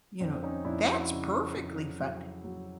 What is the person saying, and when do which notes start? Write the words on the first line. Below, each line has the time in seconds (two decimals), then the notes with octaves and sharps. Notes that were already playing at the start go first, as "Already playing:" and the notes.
You know? That's perfectly fine.
0.20 F2 C4 D4
0.43 C#4 D#4
0.65 F2 D4 E4
0.87 E4 F#4
1.10 C#3
1.55 F2
2.00 F#3
2.45 F#3